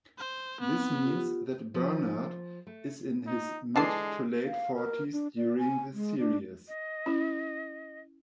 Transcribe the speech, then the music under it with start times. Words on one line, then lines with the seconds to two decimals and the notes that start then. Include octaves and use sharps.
This means that Bernard is in his mid- to late-forties during the series.
0.18 C5
0.60 B3 C4
1.05 F4 G4
1.74 F3
2.67 A3
3.27 D#4
3.76 D3 E3 G#3 D4 A5 C7
4.44 F5
4.75 A#4
5.13 D4
5.37 D5
5.59 G#5
5.93 G#3
6.18 D4
6.68 D#5
7.06 C#4 E4